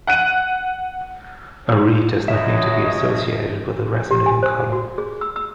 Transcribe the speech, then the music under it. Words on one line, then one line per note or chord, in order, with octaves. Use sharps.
A reed does not need to be associated with a resonating column.
F#5 F#6 D#7
C#2 F#2 C#5 D#5 E5
G4
G#5
C5
F#4
G#4
E6
E6